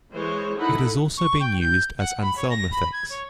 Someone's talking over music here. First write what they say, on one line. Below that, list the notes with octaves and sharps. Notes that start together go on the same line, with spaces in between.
It has also been used as anthelminthics.
E3 G#3 C5 C#5
D#4 E4 A4 F#5 B5
C#6
G5
G6
F#5
B5
C#5
A#6
B5
G#6
C#5